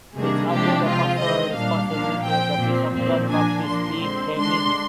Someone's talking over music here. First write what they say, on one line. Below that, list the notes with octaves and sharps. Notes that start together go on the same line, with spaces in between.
It’s under the pastoral responsibility of the bishop John Baptist Lee Keh-mien.
C3 D#3 G3 A#3 D4 G#4
C3 F3 G#3 D4 G4
F3 C4 F4
D#3 G#3 C4 D#5
A#2 G3 A#3 D4 F5
A#2 F3 A#3 D4 F5
F3 C4 G5
A#2 F3 C4
A#2 F3 C4
F3 A#3 D4 G#5
A#2 F3 A#3 D4 C6
D3 G#3 C4
D3 G#3 D4 C6